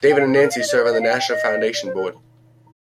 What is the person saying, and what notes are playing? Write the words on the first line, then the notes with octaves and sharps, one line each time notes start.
David and Nancy serve on the Nasher Foundation Board.
G5
F5
C5
G#4
A#4
F5
D#5
D5
C5
D5
D#5
F5
G5
G5
D#5
D5
C5
A#4